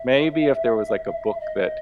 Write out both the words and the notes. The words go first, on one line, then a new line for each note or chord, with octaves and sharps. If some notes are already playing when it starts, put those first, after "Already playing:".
Maybe if there was, like, a book that
Already playing: E5
D#5